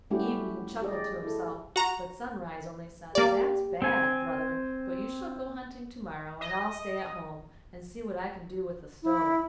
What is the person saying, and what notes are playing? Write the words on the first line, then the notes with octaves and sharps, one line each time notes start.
Evening chuckled to himself, but Sunrise only said, "That's bad, brother; but you shall go hunting to-morrow, and I'll stay at home, and see what I can do with the stove."
G3 A3 C#4 E4 F#4 G4
G4 G#4 D5 D#5
D5
E4 A4
F#4 A#5
A#3 G4 D5
C4 G#5
D#5
E4